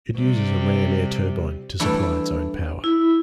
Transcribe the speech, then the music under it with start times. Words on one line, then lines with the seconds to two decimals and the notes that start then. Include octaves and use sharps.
It uses a ram air turbine to supply its own power.
0.17 C3 G3
1.80 E3 G3 A3 D4 E4
2.84 E4